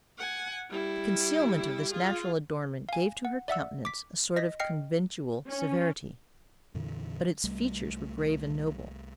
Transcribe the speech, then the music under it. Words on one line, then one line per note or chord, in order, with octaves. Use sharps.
The concealment of this natural adornment gave to her countenance a sort of conventual severity; but its features were grave and noble.
F#5 G#5
G3 E4
F4 G#4
F5 G#5
F#5
D5 E5 F#5 E6
D6 B6
D#5 A#6 B6
D#5 G5 F6 C7 C#7
C#4
F2 A#2 D3 E3
C2 G3 A3